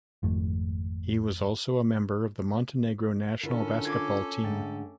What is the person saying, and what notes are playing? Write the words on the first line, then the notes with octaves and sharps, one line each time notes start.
He was also member of the Montenegro national basketball team.
G#1 F2 A3
D3 C#4 E4 F4 A4 A#4
F4 A#4 D6 G#6 C7
G#2 D3 A3 G5 A6